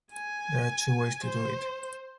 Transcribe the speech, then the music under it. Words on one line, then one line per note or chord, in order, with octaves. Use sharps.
There are two ways to do it.
G#5
C5